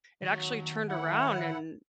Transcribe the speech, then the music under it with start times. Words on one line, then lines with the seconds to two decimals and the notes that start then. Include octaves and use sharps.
it actually turned around and
0.22 D#3 F#3 C#5
0.89 A2 E4 F#5